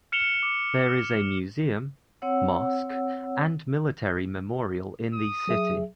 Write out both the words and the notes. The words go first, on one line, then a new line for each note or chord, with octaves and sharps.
There is a museum, mosque and military memorial in the city.
F6 C#7 E7 F7 G7
D6
C4 C#5 F#5 E6
D#6
F#3 G#4 E5